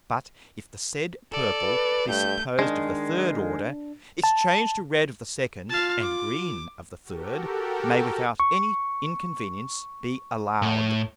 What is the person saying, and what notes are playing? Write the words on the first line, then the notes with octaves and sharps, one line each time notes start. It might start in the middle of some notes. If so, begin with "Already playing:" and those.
But if the said Purple be supposed of the third Order, its Change to red of the second, and green of the third, may without any Inconvenience be allow'd.
A4 D5
B4
G2 A3 G6
D#3 G#3 D4
A5
F4 F5 A5
D6
F#4 G4 A4 A#4
C#6
A2